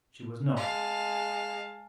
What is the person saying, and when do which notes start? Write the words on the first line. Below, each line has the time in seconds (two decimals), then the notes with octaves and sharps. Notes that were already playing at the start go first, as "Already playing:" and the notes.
She was not.
0.57 G#3 F5 A5